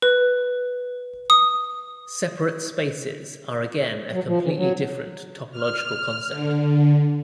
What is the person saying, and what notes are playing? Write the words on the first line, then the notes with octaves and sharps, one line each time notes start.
Separable spaces are again a completely different topological concept.
B4
D#6
F#3
F3
E3
F#3
F6
D3